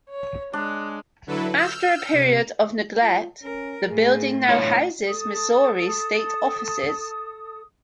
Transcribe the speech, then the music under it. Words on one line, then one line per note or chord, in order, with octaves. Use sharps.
After a period of neglect, the building now houses Missouri state offices.
C#5
G#3 D4
D3 F#3 E4 A4 B4
E6 F6 G6
C3
F4
C#4 A#4
A2 G#4
D3 E4 F4 C#5
A4 D#6